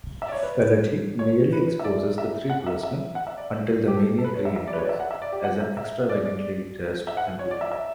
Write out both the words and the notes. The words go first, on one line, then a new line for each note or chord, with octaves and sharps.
Feletti nearly exposes the three policemen, until the Maniac reenters, as an extravagantly-dressed amputee.
E5
D5
C#5
B4
C#5
B4
E5
D5
E5
F#5
E5
E5
F#5
E5
D5
G4
A4
A4
B4
C#5
E5
E5
D5
B4
C#5
D5
E5
F#5
E5
D5
G4
F#5
E5
E5
D5
D5
E5
F#5
C#5
D5
E5
E5